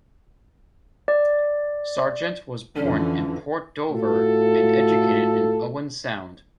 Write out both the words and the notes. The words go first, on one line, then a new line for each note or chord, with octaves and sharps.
Sargent was born in Port Dover, and educated in Owen Sound.
D5
F2 D3 E3 C#4
A2 F4 F#4 A4